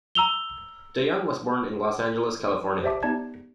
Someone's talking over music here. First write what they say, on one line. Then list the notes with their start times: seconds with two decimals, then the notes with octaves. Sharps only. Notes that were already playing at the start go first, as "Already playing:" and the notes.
DeYoung was born in Los Angeles, California.
0.15 A#5 E6 F7 G7
2.83 G4 C5 D5 E5 A5 D6
3.03 B3 D#4 G4 D5 A5 G#6